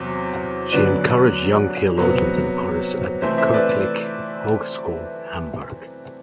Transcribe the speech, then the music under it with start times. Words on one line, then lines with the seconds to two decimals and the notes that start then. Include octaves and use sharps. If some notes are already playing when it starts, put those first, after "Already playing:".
She encouraged young theologians and artists at the Kirchliche Hochschule Hamburg.
Already playing: E2 C3 F#3 C4
0.72 F#2 D3 F#3 B3 B4 D5
1.97 C3 F#3 B3
3.22 C3 E3 A3 C4 C5 E5
3.38 C5 E5
3.49 E5
3.54 B4 D5